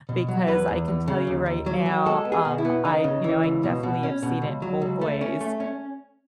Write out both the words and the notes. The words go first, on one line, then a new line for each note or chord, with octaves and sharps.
because I can tell you right now, um, I you know, I definitely have seen it in both ways,
B2
F#3
E2 B4
E2
E2
C#3
D#2
D#2
F#3
F#3
G#3 A4
B3
G#4
B2
E4
B3
C#3 D#4
C#3
E3
C#2
B2
B2
C#4
B2
C#2
F#3
C#2
A3
C#4
A3
C#4